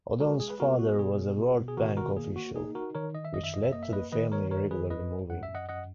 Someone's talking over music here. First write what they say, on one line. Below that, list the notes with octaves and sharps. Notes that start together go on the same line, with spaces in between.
Odone's father was a World Bank official, which led to the family regularly moving.
G#3 F#4 A#4
G#4
B4
B3 F#4 A#4
F#4
B2 G#4
B2
G#4
D#3 F#4 A#4
F#4 A#4
A#3 G#4
F#4
D#4 G#4
F#4 A#4
D#3 A#4 C#5
D#5
E5
F#2 D#5
E5
D#5
E5
A#3 D#5
E5
B4 D#5
D#3 B4 D#5
A#4 C#5
F#2 A#4 C#5
G#4 B4
F#2 B4 D#5
F#2 F#5
E5
D#5 F#5
F#2 D#5 F#5